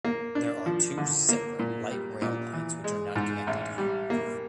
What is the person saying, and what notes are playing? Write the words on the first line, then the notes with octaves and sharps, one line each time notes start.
There are two separate light rail lines which are not connected.
A#3
D4
F3
D3
A#3
A#2
G3
A#2
E3
G#3
G#2
A1
G3
A#3